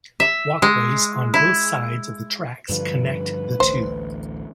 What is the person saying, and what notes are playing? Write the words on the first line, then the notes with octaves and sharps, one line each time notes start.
Walkways on both sides of the tracks connect the two.
E5
G#3
E4
G2 D3 F3 B4
A1 D2 C5